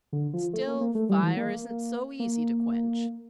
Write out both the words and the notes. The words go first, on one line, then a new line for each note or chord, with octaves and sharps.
Still, fire isn't so easy to quench.
D3
F3
A3
A#3
A#3
A3
G3
E3
A#3
A#3